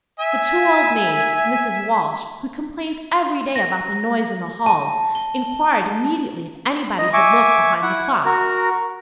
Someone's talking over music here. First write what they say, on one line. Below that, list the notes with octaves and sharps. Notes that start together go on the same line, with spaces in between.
The two old maids, Misses Walsh, who complained every day about the noise in the halls, inquired immediately if anybody had looked behind the clock.
E5 G#5
A#6
A5
G7
D#5
E5 G#5 C#6 D6
E4 F#5
F#4 A#4